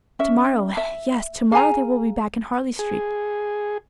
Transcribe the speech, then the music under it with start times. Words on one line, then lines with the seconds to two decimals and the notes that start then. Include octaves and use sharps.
'To-morrow--yes, to-morrow they will be back in Harley Street.
0.19 C#4 E5
0.77 E5
1.52 G#4 F5 G#5 A#5
2.79 G#4